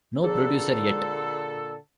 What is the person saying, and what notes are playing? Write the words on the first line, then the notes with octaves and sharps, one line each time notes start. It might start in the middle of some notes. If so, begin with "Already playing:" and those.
No producer yet.
A#2 D3 G#4 A4